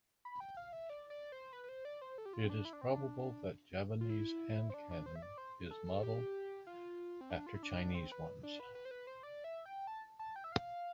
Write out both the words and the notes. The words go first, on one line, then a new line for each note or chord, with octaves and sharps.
It is probable that Javanese hand cannon is modelled after Chinese ones.
B5
G5
F5
E5
D5
D5
C5
B4
B4
C5
D5
C5
A4
G4
F4
C4
D4
E4
D4
C4
D4
F4
E4
C4
D4
D4
C5
E5
D5
C5
A4
A4
G4
F4
C4
D4
F4
E4
D4
D4
C4
B4
D4
B4
B4
C5
B4
C5
D5
E5
G5
A5
A5
G5
E5
F5